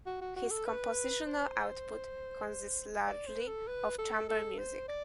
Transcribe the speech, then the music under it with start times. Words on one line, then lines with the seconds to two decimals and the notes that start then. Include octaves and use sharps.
His compositional output consists largely of chamber music.
0.06 F#4
0.21 F#4
0.36 F#4
0.51 A4
0.66 B4
1.27 C5
3.07 D5
3.27 C5
3.40 B4
3.48 A4
3.68 B4
3.99 A4
4.29 A4
4.59 C5
4.88 D5